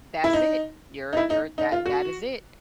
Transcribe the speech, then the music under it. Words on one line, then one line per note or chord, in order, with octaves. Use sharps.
That's it. You're you're that that is it.
E4
D#4
D#4
E4
D#4
D#4
F4
F#4